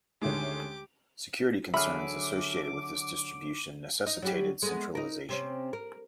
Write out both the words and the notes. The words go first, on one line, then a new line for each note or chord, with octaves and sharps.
Security concerns associated with this distribution necessitated centralization.
D2 D#3 G#3 A3 C#4 G4 D6
D3 F#3 G#4 E5 B5 D6 F6
D#4
F#3 G3 G4
G#3 A3 B3
D#4 A#4
C3 C4 C#4
A#4